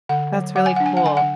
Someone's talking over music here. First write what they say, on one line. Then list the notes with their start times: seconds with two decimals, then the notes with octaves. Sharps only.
That's really cool.
0.09 D3 F#5
0.33 F#3
0.56 F#3 F#5
0.66 G#5
0.76 D4 F#5
0.86 G#5
0.97 F#5
1.04 D3 G#5
1.17 F#5